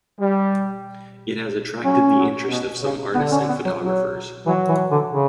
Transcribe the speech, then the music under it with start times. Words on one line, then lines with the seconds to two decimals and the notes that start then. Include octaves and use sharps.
It has attracted the interest of some artists and photographers.
0.19 G3
1.84 F#3 C#4
2.17 F#3
2.50 B2
2.82 C#3
3.15 D3 B3
3.32 C#4
3.49 B3
3.65 F#3
3.82 F#3
4.46 E3 F#3
4.69 E3
4.91 D3
5.12 C#3